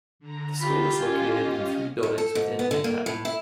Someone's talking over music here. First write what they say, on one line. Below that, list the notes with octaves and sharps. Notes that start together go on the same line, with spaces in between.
The school is located in three buildings within Manhattan.
D3 A#5
F4 G4 B5
C#4 D#5 F5 G#5
F2
A4
G#2
B3
D3
A#3
A2
E4